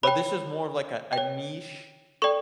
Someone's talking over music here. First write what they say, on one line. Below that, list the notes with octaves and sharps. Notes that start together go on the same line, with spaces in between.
but this was more of, like, a a niche
C#5 G5 B5
C#5 G5
A4 D5 G5 C#6